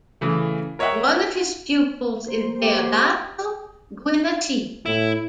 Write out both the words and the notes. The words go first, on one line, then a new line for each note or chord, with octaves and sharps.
One of his pupils is Deodato Guinaccia.
C#3 E3 A3
A#4 C#5 D#5 E5 F#5 G5
A#3 C5
G4
A2 E4